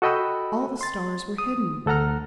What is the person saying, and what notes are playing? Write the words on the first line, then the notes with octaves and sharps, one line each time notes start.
All the stars were hidden.
F#4 A4 D#5 G5 B5 E6
C6 A6
D#6
D2 A4 F#5 A#5 F6